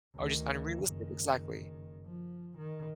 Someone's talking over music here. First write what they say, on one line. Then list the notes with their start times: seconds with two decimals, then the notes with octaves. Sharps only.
Oh, just unrealistic exactly.
0.15 D2 D#3
0.86 F#1 D#3
2.06 F3
2.58 D#3